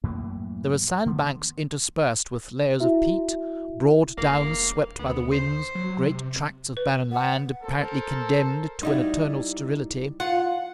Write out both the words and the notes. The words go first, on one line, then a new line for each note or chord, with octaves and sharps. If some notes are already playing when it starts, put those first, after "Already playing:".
There were sand-banks interspersed with layers of peat, broad downs swept by the winds, great tracts of barren land apparently condemned to an eternal sterility.
F#2 A2 E3 A#3
D3 D#3 A3 B3
E4 F#4 E5
E1 A#3
D2 B3
C5
F#3
C3
B4
F#5
A4 A#4 C5
G3 D#4 E4 F#4
F4 F#5